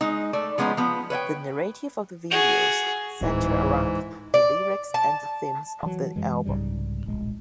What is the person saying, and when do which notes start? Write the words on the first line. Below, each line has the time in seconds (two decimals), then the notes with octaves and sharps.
The narrative of the videos center around the lyrics and themes of the album.
0.01 G#3 D#4
0.33 A3 D5
0.58 F3 G#3 B3 C#4 D#4
0.77 F3 B3
1.10 B4 C#5 E5 G5
2.31 F#4 G#4
3.21 D1 G#2 E3
4.34 D5
4.94 A5
5.83 E3 F#3
6.16 F#2 E3 G#3
6.45 C2 G#2 C#3 G3
7.06 D1 A#1 G#3